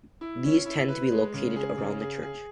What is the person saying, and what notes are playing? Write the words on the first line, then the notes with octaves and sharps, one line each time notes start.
These tend to be located around the church.
E4
C#4
E4
B4
G#3
C#3
G#4
C#3
G#4
G#4